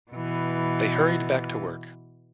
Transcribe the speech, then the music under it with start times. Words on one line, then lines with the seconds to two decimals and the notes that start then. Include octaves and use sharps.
They hurried back to work.
0.11 B2 E3